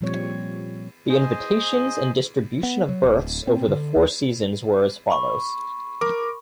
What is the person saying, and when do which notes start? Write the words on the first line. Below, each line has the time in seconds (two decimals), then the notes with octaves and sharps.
The invitations and distribution of berths over the four seasons were as follows.
0.01 A#2 F3 G3 C4 C#5
1.09 G#4 C5 D#5 G#5
2.63 B3
2.89 F#3
3.03 D1
3.47 C4
3.68 D3
3.96 D#2
5.10 B5 C#6
6.01 A#4 D6